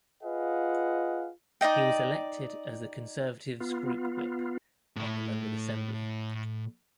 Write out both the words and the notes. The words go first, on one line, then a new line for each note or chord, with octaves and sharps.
He was elected as the Conservative's Group Whip on the London Assembly.
F4 G#4 B4 D#5 F5 F#5
D#4 D5 D#5 G5
B3 F4
A2 E4